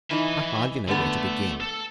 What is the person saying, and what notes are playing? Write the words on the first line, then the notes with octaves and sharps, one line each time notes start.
I hardly know where to begin.
E3 D#4 E5 G#5
D3 A3 B3
A4